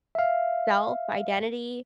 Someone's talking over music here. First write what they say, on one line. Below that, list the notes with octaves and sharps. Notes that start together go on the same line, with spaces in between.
self, identity,
E5 F5